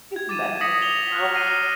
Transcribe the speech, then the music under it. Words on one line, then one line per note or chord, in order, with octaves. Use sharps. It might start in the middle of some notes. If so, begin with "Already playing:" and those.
Just mess with people.
G#6
D6 A6 D#7 E7
D6 D#6 A#6 B6 C#7 F#7
D6 F7 G7
D#6 F6 F#6
F6 A#6 C7 D#7 F#7